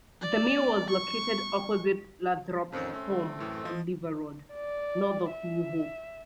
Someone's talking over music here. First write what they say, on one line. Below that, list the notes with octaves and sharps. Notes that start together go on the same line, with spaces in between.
The mill was located opposite Lathrop's home on River Road, north of New Hope.
D5
C#6
A1 F2 D#3 C#4
A3 C4 C#4
D3
F#2 A2 E3
F3 D#5
D5
E5